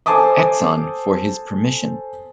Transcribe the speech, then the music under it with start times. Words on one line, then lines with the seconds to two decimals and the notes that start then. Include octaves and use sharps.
Exon for his permission.
0.06 A4 C5 G#5 A5 D6 D#6